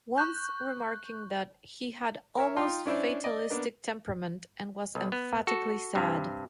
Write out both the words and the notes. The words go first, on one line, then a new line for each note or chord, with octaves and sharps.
Once remarking that, "He had almost fatalistic temperament and was emphatically sad".
C#6 F#6 G6
A#4 C#5 E5
D#4 F4 G5 C6
C#4 D4 E4 C5 D5
D5 D#5
A#3 B3 D4
B1
B3
F#4 A4
G2 C3